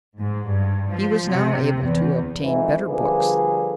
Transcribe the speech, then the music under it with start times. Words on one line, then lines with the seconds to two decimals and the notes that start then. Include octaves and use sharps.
He was now able to obtain better books.
0.19 G#2
0.48 G2
0.90 F3
1.30 C3
1.83 E2
2.43 F2 G#2 B2 E3
2.88 D3 F3 G3 A#3 G#4 B4